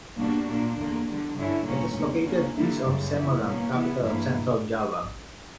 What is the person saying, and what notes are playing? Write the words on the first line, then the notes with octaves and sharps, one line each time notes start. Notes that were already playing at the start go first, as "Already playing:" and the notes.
It is located east of Semarang, capital of Central Java.
B2 G3 A#3 D4 F#4
A#2 A#3 D4
E2 D3 A#3
E2 D3 G3
G2 D3 G3 C#4 E4
A#2 G3 A#3 C#4
E2 B2 A#3
D3 A#3 C#4
D3 G3 A#3 E4
F#2 C#3 G3
E3 B3 E4
B2 A#3 C#4
E3 B3 E4
G2 E3 A#3 E4